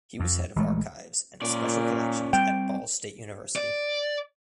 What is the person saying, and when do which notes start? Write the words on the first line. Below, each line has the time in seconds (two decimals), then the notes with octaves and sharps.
He was head of archives and special collections at Ball State University.
0.20 F2
0.56 A#1 E3 G#3 A3
1.42 A#2 C#4 D5
2.33 G3 C4 G5
3.56 D5